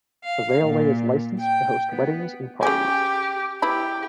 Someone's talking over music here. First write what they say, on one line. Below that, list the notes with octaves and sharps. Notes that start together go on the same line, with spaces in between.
The railway is licensed to host weddings and parties.
F5
A#2
G5
B3
C#3 G4 G#5
B3 E4 G4 B5